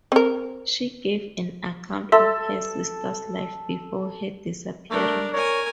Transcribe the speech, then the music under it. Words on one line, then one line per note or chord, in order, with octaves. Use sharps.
She gave an account of her sister's life before her disappearance.
C4 A#4
A4 E5 C6 E6
A3 D4 A#4
A#4 C#5 G#5